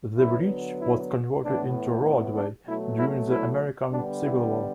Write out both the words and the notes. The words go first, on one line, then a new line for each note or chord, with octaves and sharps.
The bridge was converted into a roadway during the American Civil War.
D3 F#3 B3 E4
E4
A2 E3 B3 D4
D4
B2 F#3 A3 E4
E4
E4
D3 G3 B3 D4
E4